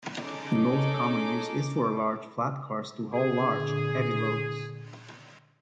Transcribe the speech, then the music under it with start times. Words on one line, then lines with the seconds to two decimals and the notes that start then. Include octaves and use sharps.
The most common use is for large flatcars to haul large, heavy loads.
0.18 C#4 D#4 G#4 A4 D6
3.14 A#2 D3 G#4